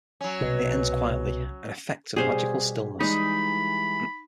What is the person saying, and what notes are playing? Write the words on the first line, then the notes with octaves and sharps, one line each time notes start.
It ends quietly, "an effect of magical stillness".
F#3 C#4
C2 B2
B2 G3 G4 G#4 C5 F5
E3 G3 G#3 D#4 B5